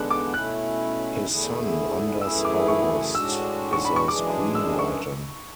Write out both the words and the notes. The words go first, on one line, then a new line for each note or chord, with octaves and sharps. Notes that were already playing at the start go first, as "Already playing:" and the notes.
His son Anders August is a screenwriter.
Already playing: E2 D3 G#3 B3 D4 F#6
D6
B2 A3 C#4 E4 F#6
E2 D3 A3 E4 G#4
F#2 E3 A3 E4 G#4 E6
D6
C#6
A2 G#3 D4 F#4 E6
C#6
B5
C#6
F#2 E3 G#3 D4 G#4 D6
E6
C#6